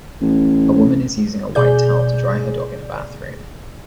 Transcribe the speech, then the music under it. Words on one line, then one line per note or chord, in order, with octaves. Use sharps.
A woman is using a white towel to dry her dog in a bathroom.
A1
B2 G#4 D5 G6